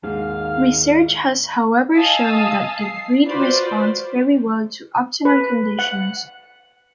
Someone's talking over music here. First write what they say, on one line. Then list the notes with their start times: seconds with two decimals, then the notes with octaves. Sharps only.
Research has however shown that the breed responds very well to optimum conditions.
0.03 D#2 G#2 D#3 G#3 F5
1.95 D#5 F5 G#5 A5 D#6 E6
2.79 C7
3.28 F4 F#4 B4 C5 D5
5.25 B4
5.79 F#5